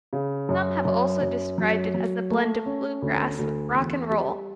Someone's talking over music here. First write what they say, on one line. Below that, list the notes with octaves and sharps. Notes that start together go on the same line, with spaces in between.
Some have also described it as a blend of bluegrass with rock and roll.
C#3
F#2
F#2
F#2
F#3
F#3
A3
C#4
D2
D2
E2
G3